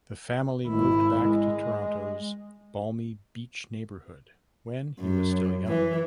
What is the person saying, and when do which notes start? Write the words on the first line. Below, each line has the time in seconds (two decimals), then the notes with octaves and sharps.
The family moved back to Toronto’s Balmy Beach neighbourhood when he was still young.
0.68 G#1 E4
1.25 G#3
5.01 F#2
5.67 E3